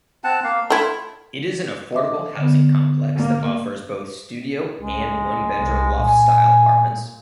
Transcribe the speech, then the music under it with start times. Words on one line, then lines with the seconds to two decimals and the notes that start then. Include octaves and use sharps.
It is an affordable housing complex that offers both studio and one-bedroom loft-style apartments.
0.24 C4 F#5 A5
0.44 A#3 F5
0.70 A3 E4 F4
1.93 D#5 E5 D6
2.37 D3 B3
3.15 A#3
4.79 C#2 G#3
5.58 C2
6.02 A#2 G#5